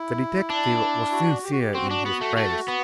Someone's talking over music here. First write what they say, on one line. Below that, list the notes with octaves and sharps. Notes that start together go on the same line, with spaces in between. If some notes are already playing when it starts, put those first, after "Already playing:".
The detective was sincere in his praise.
Already playing: E4
D4
F#4
G4
F#4
G4
C4 F#4
D4
B3
A3
A3
B3